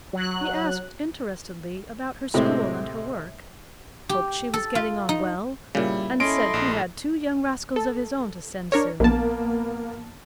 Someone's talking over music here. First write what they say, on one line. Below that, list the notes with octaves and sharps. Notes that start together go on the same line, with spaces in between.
He asked interestedly about her school and her work, hoped she was getting on well, and said he had two young rascals of his own to send soon.
F#3 F#6
A2 C3 G#3 A3 C4
G4
A4
F4
D#4
A#2 C#3 G3 E4
C#4 E4 A4 D#5 C6 D7
A#1
A4
D4 A#4 C#5
A#1 A#3 B3 A5